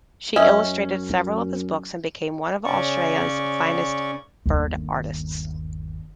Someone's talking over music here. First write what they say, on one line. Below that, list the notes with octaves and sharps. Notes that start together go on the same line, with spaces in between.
She illustrated several of his books and became one of Australia's finest bird artists.
F#2 C#4 D#5 E5
C#3 C#4 D5 C#6
G1 D#2